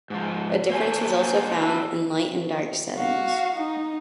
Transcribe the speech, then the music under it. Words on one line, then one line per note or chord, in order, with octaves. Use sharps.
A difference was also found in light and dark settings.
G#2 F3
A#3 C5 G#5
D4 E4
F#4 F5
D#4